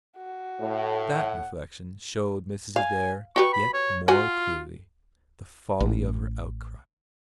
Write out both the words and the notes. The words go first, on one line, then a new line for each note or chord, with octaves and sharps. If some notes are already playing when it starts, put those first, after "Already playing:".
That reflection showed Mrs. Adair yet more clearly the folly of her outcry.
F#4
A2
F#5
F5 G#5
F#4 G4 B4 C#6
B5
C#5
F4 F#4 F#5 G#5
A1